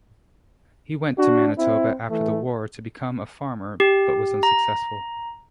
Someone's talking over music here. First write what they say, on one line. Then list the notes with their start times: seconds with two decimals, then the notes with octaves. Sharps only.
He went to Manitoba after the war to become a farmer, but was unsuccessful.
1.18 D4 F#4
1.58 C4 E4
2.10 E3 A3
3.80 G4
4.43 A#5